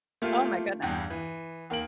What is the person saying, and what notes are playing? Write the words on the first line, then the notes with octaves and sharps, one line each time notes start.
Oh my goodness.
A3 A#3 F4 G4
E2 G2 G5
E3
D#2 A#3 D7 F#7